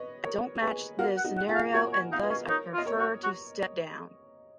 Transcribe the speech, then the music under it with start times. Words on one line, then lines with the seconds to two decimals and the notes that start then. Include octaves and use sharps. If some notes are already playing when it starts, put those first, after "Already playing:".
I don't match this scenario and thus I prefer to step down.
Already playing: B4 C#5 D#5
0.24 A#4 C#5
0.62 G#4 B4
0.99 F#4 A#4 F5
1.17 F#5
1.25 D#4 F#4
1.37 F#5
1.49 F4 G#4
1.55 F5
1.74 F#4 A#4 C#5
1.93 C#5
2.12 D#4 F5
2.23 B4 D#5
2.30 C#4
2.48 D#4 A#4 C#5
2.73 F4
2.78 D#5
2.86 A#4 C#5
2.98 F#4
3.23 F#4